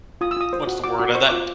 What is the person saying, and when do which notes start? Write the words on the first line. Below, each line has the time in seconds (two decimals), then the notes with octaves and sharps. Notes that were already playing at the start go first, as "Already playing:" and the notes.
What's the word uh, that
0.21 F4 D#6
0.31 E6
0.37 F4 D#6
0.53 C5
0.67 F#4
0.84 F#4 D6
1.00 F#4
1.15 C5 C#6
1.29 F4 D6